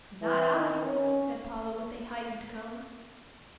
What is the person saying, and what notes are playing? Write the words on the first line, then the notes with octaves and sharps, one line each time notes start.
"Not I," said Paula, with a heightened color.
E3
D#3
C#4